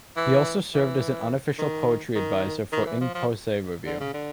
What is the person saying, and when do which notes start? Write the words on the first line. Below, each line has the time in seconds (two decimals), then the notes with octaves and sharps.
He also served as an unofficial poetry advisor for "In Posse Review".
0.17 E3
0.74 E3
1.59 D#3
2.15 D#3
2.72 D#3
2.86 E3
3.01 F3
3.15 F3
3.86 D3
4.00 C#3
4.14 D3